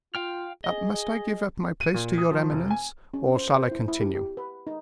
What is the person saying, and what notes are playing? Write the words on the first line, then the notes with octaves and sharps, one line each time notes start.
"Must I give up my place to your eminence, or shall I continue?"
F4 F5 G5 F6
G#4 D#5
D#7
A#2
D#6
F3
F1
G#5
C#4
C5
C5
E4
E4
G4
G4
B4
D#4